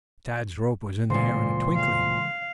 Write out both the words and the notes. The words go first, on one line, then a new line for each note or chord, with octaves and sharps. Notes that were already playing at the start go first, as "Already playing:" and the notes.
Tad's rope was in the air in a twinkling.
D2 A#2 C#3 E3 G#3 C6
F5